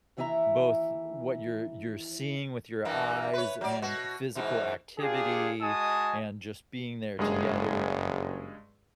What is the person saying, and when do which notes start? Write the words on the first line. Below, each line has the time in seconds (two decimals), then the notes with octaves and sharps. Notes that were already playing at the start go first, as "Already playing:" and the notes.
both what you're you're seeing with your eyes and physical activity and just being there together, and
0.17 D#2 E3 E4 D#5 E5 A#5
2.85 G2 E3 A#3
3.34 B4 C#5
3.61 F#3 D5
3.82 B2 F#4
4.35 G#2 B2 E3
4.98 D4 F4 G4 G#4
5.61 G#3 F#4 D#5 G#5 A5 D#6
7.19 F#1 G2 G#3 G#4